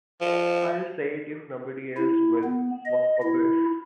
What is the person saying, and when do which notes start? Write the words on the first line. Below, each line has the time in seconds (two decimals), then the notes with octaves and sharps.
I'll Say It If Nobody Else Will, was published.
0.21 F3
1.97 E4
2.44 B3
2.85 D#5
3.23 E4